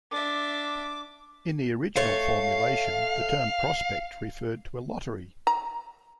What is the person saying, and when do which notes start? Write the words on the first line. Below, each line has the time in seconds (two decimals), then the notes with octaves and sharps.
In the original formulation, the term "prospect" referred to a lottery.
0.11 D4 E5 D6
1.96 A3 C#5 F5
5.47 A#5